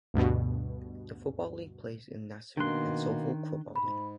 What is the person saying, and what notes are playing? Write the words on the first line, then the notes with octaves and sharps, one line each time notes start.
The football league plays in the Nassau and Suffolk Football League.
D2 G2 B2
B2 D#3 A#3 D4 C6 F#6
G#2 B5